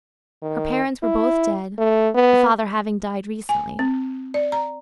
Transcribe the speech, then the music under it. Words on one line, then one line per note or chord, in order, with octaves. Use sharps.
Her parents were both dead, the father having died recently.
D#3
E4
A3
B3
G#5
C4
D5
A#5